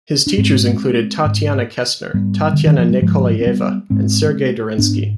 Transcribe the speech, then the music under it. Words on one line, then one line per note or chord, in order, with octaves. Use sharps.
His teachers included Tatiana Kestner, Tatiana Nikolayeva and Sergei Dorensky.
D4
G#2 G#3 C4
G#2
G#2 G3 B3
D3
D#3
F3
G3
G#2 F3 G#3
C4
G3 B3
G#2 G#3 C4
G#2 B3 D4